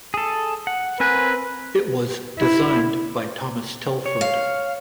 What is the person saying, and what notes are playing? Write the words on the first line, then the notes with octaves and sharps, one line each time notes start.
It was designed by Thomas Telford.
G#4 A4
F#5
C4 A#4 B4 G#5
E4
C#5
F5